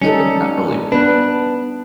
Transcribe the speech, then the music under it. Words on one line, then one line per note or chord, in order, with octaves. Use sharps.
eh eh not really
G3 C#4 D#4 A4
B3 D4 B4